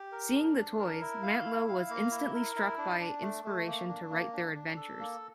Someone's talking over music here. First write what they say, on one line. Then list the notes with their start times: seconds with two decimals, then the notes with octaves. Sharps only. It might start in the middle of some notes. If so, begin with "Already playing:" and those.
Seeing the toys, Mantlo was instantly struck by inspiration to write their adventures.
Already playing: G4
0.12 A#4
0.35 D4
0.57 D4
0.79 A#4
1.01 E4
1.23 F5
1.45 E4
1.68 F5
1.89 A#3
2.11 E4
2.34 A#4
2.55 E4
2.78 D4
3.00 D4
3.22 A3
3.44 A3
3.67 A#3
3.88 D4
4.10 A#3
4.33 D4
4.54 D4
4.77 A4
4.99 A#3